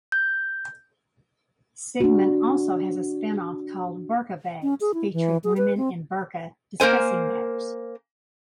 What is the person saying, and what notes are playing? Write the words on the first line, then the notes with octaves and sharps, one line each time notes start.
"Sigmund" also has a spin-off called "Burka Babes", featuring women in burka discussing matters.
G6
D4 F#4
C#4
G#4
E4
E3
G#4
B4
C4
A#3 A#4 C5 G#5